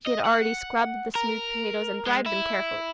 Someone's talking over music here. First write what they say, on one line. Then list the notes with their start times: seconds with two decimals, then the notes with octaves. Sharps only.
She had already scrubbed the smooth potatoes and dried them carefully.
0.06 D#5
0.26 F#5
1.15 A#4
2.07 G#3
2.26 E4